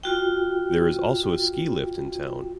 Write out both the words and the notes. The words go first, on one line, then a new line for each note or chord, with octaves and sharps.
There is also a ski lift in town.
F4 F#4 G5